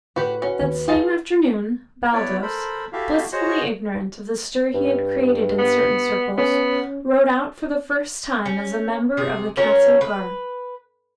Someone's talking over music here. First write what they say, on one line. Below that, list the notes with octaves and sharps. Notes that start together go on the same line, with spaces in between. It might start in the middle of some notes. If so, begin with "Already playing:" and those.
That same afternoon Baldos, blissfully ignorant of the stir he had created in certain circles, rode out for the first time as a member of the Castle Guard.
A2 F#4 G4 B4
C#4 F#4 F#5
D#2
F4 G#4 A5
B3 E4 B4 C#5 D5
A4 A#4 C5 B5
E4 F#4 G4 A4 E5 F5
F#4 G#4 C5 C#5 D#5 F#5
G2
B3
B3 C#4
C#4
C3 G#4
C#4 F#4 A#4 C#5
B4